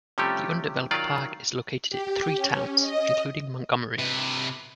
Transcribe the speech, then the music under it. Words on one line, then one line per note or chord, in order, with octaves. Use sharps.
The undeveloped park is located in three towns, including Montgomery.
C3 F3 G3 A3 C#4 G4
D#3 F#3 F4 D5
G4
C#4
D#5
C3 B4